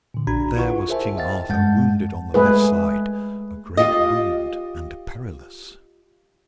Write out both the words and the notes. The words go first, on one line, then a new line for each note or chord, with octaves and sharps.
And there was King Arthur wounded on the left side, a great wound and a perilous.
A#2 D3
A#1 D4 F#4 A#5 B5 G#6
E4 F4 B4 F#5 C#6
G#4 A#4 C5 E5 G#5 A5
C5 D#5 F5 G5 A6
G2 G#3 F#5 A5 G6 A6
G#3 A3 G#4 B4
F4 G4 D#5